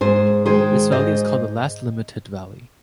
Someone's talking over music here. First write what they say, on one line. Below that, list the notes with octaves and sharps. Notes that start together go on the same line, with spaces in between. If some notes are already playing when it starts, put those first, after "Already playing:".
This valley is called the last limited valley.
G#2 G#4 C5
D#3 G#3 G#4 C5
G#2 C5 D#5